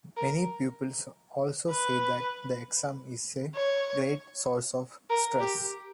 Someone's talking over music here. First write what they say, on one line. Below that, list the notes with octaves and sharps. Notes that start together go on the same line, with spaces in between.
Many pupils also say that the exam is a great source of stress.
A#4
B4
C#5
A#4
G4